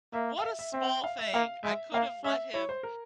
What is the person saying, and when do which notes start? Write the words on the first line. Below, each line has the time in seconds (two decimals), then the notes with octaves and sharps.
what a small thing. I could've let him
0.13 A#3 E5
0.39 F5
0.44 E5
0.59 E5
0.73 C4 E5
1.04 F5
1.19 E5
1.34 A#3 F5
1.64 G#3 E5
1.93 A#3 F5
2.24 C#4 E5
2.54 E4 C#5
2.69 C5
2.83 A#4